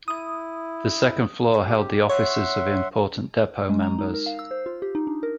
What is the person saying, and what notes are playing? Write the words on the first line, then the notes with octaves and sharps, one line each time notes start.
The second floor held the offices of important depot members.
E4 D#6
G4
C#5 E5 F#5 C6
G#3
A#5
D#4
A#4
F5
E6
C5
F4
G4
D#4
D4
A#4